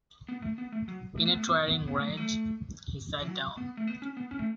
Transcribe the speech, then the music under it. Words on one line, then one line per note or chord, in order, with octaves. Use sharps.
In a towering rage, he sat down.
B3
A3
B3
A3
F#3
A3
B3
A3
B3
B3
B3
A3
F#3
A3
E3
F#3
B3
A3
B3
C#4
B3
C#4
A3